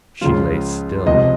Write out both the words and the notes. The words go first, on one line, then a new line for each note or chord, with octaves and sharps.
She lay still.
C#2 C#3 F3 F4
C#2 C3 F3 D#5